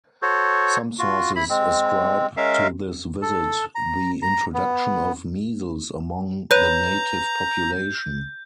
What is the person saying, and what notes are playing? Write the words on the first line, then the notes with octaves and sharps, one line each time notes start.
Some sources ascribe to this visit the introduction of measles among the native population.
F#4 A4 C5 C#5
F4 F#4
E4 B5
G#3 C4
G#3 C#4 A#4 E5 F5
A4
A#5
A#5
B3
B4 C#5 A#5 F#6 G6 D#7